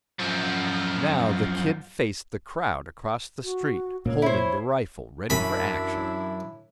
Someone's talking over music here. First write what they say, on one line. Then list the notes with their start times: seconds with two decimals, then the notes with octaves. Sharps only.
Now the "Kid" faced the crowd across the street, holding the rifle ready for action.
0.19 F#2 F3
3.43 F#4
4.06 C#2 A#2 A#3 C#5
4.22 E4 C5 C#5
5.30 F#2 E3 D4 E4 B5